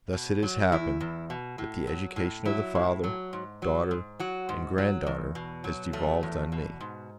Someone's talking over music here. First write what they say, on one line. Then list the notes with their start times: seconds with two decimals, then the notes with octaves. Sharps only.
Thus it has happened, that the education of the father, daughter, and grand-daughter, has devolved on me.
0.13 B2
0.43 F#3
0.72 E2 E4
1.00 E2
1.30 B2
1.58 A2
1.87 F#3
2.16 A2
2.45 F#3 E4
2.75 A2
3.04 F#3
3.33 G#2
3.62 F#3
3.91 G#2
4.20 F#3 F#4
4.49 G#2
4.78 F#3
5.07 E2
5.35 B2
5.64 F#3
5.93 E2 A3
6.23 E2
6.52 B2
6.80 G#2